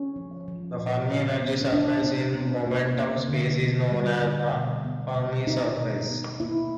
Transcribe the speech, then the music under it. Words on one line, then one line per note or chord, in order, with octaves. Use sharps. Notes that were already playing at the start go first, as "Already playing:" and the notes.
The Fermi energy surface in momentum space is known as the Fermi surface.
Already playing: C#4
F3
F3
A#2
A#2
B3
C#4
B3 D4
B3
B3
A#3
A#3
D3
D3
G3
D3
B2
B3
B2
B3 D#4
B2
B3
A#3 E4